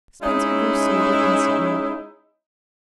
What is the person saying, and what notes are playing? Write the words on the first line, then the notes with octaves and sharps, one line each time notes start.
Spencer grew sober instantly.
G#3 C#4 D#4 E4